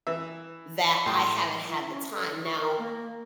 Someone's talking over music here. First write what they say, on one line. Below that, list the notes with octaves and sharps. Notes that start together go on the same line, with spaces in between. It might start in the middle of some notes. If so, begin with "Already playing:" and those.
that I haven't had the time. Now
E3 E5
A2 G3 C6
E4
C#4
A4
C#6
A#4
A#3